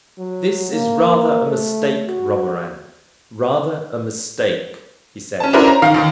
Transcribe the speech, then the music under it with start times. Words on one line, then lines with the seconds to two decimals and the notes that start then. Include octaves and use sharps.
"This is rather a mistake, Romarin--rather a mistake," he said.
0.19 F#3
0.72 A#3
1.48 A3
2.08 F#4
5.40 C#4 A5
5.53 C#4 D4 E4 F#4 A#4 C5
5.67 A#5
5.82 D#3 F5
5.94 D#2 D#3